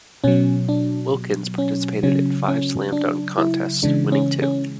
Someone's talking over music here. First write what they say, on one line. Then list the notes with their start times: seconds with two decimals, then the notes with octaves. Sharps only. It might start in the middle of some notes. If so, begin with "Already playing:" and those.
Wilkins participated in five slam dunk contests, winning two.
0.24 B2 F#3 C#4
0.69 D4
1.58 C#4
2.03 C#3 F#3 C#4
2.48 C#4
2.92 D4
3.38 E4
3.82 C#3 E3 G#3 D4
4.12 C#4
4.42 C#4